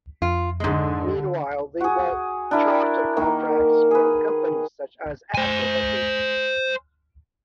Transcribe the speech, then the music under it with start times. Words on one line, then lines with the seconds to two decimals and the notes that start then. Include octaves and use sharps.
Meanwhile, they won charter contracts from companies such as Apple Vacations.
0.22 F2 F4
0.60 G#2 D3 G#3
1.81 F#4 G#4
2.51 D4 E4 A#4
3.17 D#3 A#3
3.91 G#4 B4
5.35 C5 G#5